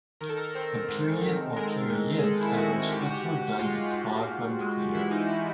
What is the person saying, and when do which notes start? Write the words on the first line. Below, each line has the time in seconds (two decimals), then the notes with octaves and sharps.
The period or periods at which this was done is far from clear.
0.21 D#3 A#4
0.29 A4
0.37 A#4
0.55 C4
0.88 G#2
1.22 D#3
1.56 G#3 A#4
1.90 G#2
2.19 G#4
2.24 G#3 A4
2.41 E4
2.58 G#3 F#4
2.75 F#4
2.91 G#2 G4
3.01 F#4
3.10 G4
3.26 G#2
3.59 G#3 F4
3.93 G#2
4.28 G#2
4.61 G#3
4.95 E3 E4
5.11 D#4
5.28 E4